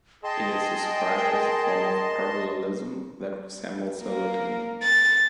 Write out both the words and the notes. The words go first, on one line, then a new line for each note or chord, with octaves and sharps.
It is described as a form of parallelism that resembles a litany.
G#4 D#5 G5 A5 C6
A#4
A#3
A6